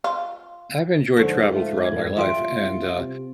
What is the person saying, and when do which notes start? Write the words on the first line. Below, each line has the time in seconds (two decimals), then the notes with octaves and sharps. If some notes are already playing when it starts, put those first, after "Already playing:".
I've enjoyed travel throughout my life, and, uh,
0.04 F4
1.17 G#2 D3 F3 A4 C#5
1.50 A3 F4
1.85 F#2 A2 G#6
2.17 F3 G3 F4 B4 E5 C6 D7
2.57 C2
2.95 C3